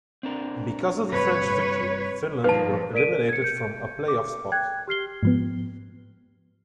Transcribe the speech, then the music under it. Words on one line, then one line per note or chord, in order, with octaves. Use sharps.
Because of the French victory, Finland were eliminated from a playoff spot.
C4 D4 A#4
G2 C3 B4 C#5
G2 A#2 F3 D#4 B4 F5 A5
A#4 D5 B6 D7 D#7
G#6 C#7
G6 C#7
D6
G5 F#6 G#6
G4 F6 C7 G7
G#2 F3 B3